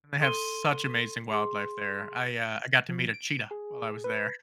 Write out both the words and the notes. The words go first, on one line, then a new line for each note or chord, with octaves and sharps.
And they have such amazing wildlife there. I, uh, I got to meet a cheetah while I was there.
A4 C6 D#7 G7
G#4 C6
F3
D7
G#4
B4